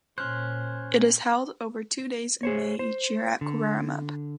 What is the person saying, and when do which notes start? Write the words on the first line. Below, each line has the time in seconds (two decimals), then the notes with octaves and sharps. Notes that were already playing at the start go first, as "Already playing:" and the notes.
It is held over two days in May each year at Cowaramup.
0.18 A#2 C#4 C5 C6 F6 F#6
2.43 G#4 C5 C#5
2.79 C5
3.41 D3